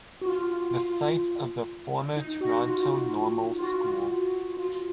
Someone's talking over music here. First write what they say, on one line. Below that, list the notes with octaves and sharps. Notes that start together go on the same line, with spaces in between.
The site of the former Toronto Normal School.
F#4
F4
F4
D#4
F#4
F4
F4
F#4
F4